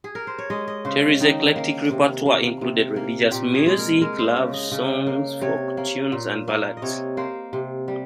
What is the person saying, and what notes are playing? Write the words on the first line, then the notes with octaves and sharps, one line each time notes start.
Terri's eclectic repertoire included religious music, love songs, folk tunes and ballads.
G#4
A#4
C5
C#5
G#3 D#5
D#5
C#3 C5
D#3 D#4
A#3
C3
A#3
C3
A#3
A#2 G4
G#4
G#3 G#4
A#4
G#3 A#4
C5
C#3
D#5
C#3
A#3
C3 C#5
A#3
A#2
A#3
D#5
C3 C#5
A#3 C5
C3
G3